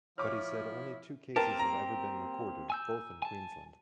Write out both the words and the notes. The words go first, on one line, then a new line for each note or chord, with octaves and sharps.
But he said only two cases have ever been recorded, both in Queensland.
F3 E4 C#5 C#6 D6 F6
A#3 C4 G4 A#4 A5
A#5
G#5 E6 G6
G#5 A5